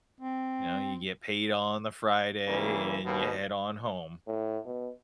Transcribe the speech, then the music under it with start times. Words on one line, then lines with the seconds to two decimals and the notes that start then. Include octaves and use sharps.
you know, you get paid on the Friday, and you head on home.
0.20 C4
2.47 C#3 E3 G3 A#3
3.05 D#2 B2
4.27 A2
4.66 B2